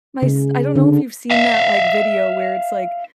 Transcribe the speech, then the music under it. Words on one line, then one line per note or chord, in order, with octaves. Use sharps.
my s I don't know if you've seen that, like, video where it's like,
C#3
D3
E5 F5